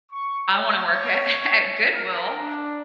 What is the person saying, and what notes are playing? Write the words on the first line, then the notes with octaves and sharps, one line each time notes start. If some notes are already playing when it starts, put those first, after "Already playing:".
I wanna work at at Goodwill,
C#6
C#5
A#4
D4